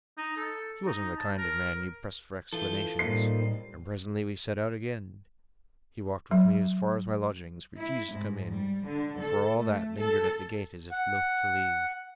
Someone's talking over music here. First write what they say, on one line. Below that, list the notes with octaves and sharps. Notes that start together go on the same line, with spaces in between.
He wasn't the kind of man you'd press for explanations, and presently we set out again. He walked with me as far as my lodgings, refused to come in, but for all that lingered at the gate as if loath to leave.
D#4
A4
D#4
A5
A#4
E3 F4 A4 G6
A2 G3 A#3 D#4 C5 C7
F#3
E4
G#2
G3
D3
A4
A3
A4
F#5